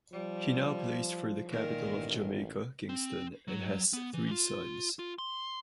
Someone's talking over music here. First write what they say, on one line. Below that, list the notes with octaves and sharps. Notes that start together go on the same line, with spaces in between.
He now plays for the capital of Jamaica, Kingston and has three sons.
F3 G3
A#2 D#3 A#4
A1
C4
F#3
B3
E3
F4
F4
C6